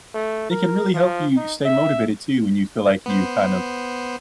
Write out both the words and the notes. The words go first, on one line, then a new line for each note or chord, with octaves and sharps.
it can really help you stay motivated, too, when you feel like you kind of
A3
A#4
F3
D#4
E5
B3 C5